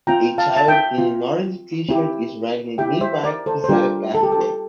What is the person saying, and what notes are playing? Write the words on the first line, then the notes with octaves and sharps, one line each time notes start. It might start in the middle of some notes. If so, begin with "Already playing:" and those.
A child in an orange tshirt is riding a green bike beside a pathway.
C4 F4 G5 A#5
F5 A5
A5
E5 G5
C4 F4
C4 E4 G4
C4 E4 G4 E5 G5
C5 E5
A#4 D5
A4 C5
C5
G3 D4 F4 G4 A#4
A4
G4
A4